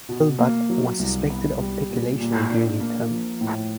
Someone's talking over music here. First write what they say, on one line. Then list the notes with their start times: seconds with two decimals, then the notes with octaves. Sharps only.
Hurlbut was suspected of peculation during his term.
0.09 B2
0.38 A#3
0.70 F#3
0.99 C2
1.30 B3
1.60 G3
1.90 A#2
2.20 A#2
2.51 D4
2.80 A#3
3.10 F3
3.41 A2